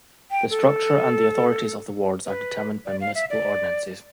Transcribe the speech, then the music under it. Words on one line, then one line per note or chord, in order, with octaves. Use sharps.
The structure and the authorities of the wards are determined by municipal ordinances.
G5
A4
B4
D5
F5
E5
D5